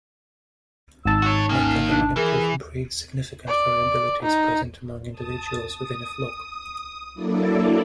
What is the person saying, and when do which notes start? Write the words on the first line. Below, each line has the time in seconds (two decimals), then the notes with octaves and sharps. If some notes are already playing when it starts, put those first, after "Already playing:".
Like other unimproved breeds, significant variability is present among individuals within a flock.
1.05 G#1 D#4 A5 E6
1.22 F#4 C#5
1.49 D#3 A#3 C#4
1.90 D4
2.16 E3 G#4 A#4
3.48 D5
4.23 D#4
5.11 A5 D#6
5.70 D#6
7.14 F#3 A#3 D4 E4 A4 D5